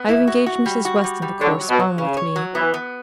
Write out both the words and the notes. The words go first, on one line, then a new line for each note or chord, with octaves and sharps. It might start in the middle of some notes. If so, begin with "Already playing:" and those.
I have engaged Mrs. Weston to correspond with me.
Already playing: B3
E4
F#4
F#4
G3
F#4
G3
G3
D3 C#5
F#3
B2
F#3
C#3 C#4
C#5
F#3
E3 B3
B3